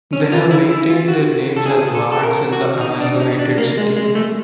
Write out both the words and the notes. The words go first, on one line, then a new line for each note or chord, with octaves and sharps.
They have maintained their names as wards in the amalgamated city.
C#4
F4
E4
E4
F4
F#4
A4
G#4
A4
A4
A#4
F#4
D#4
D4
D#4
D4
A#3
G#3
G#3
A3